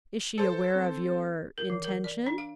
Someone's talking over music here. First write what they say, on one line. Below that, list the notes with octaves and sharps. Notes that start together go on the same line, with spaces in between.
"Is she aware of your--intention?"
A4 C5
C4
A#4
E3
A#4
D5
D4
F5